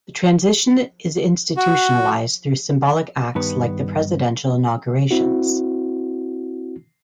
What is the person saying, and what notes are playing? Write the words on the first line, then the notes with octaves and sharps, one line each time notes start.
The transition is institutionalized through symbolic acts like the presidential inaugurations.
F#4
G2 D#3 B3 B4
C4 E4 F#4